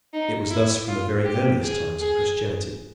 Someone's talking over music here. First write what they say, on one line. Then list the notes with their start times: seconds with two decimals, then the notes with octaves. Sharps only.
It was thus from the very earliest times of Christianity.
0.14 D#4
0.50 E4
0.88 F4
1.25 G4
1.63 G#4
2.00 G#4